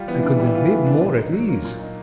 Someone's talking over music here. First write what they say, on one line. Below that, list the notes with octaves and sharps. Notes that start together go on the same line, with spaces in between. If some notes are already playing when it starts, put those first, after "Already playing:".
I could then live more at ease.
Already playing: G3 F4
E3 B3
D4
G3
F4
B3
D4
A#2
D#4
F#3
A#3
A#2
D#4